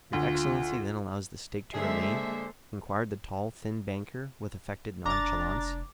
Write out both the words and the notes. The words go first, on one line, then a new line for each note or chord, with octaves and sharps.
"Your excellency then allows the stake to remain?" inquired the tall, thin banker, with affected nonchalance.
D2 F4
D3 G#3 A#3 G#4 A4 C5 E5
F1 D4 A#5 D6 A6